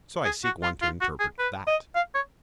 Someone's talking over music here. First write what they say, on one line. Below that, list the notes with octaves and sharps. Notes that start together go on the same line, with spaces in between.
So I seek one to interpret that.
G#4
F#4
F4
F4
F#4
G#4
B4
D#5
F5
C#5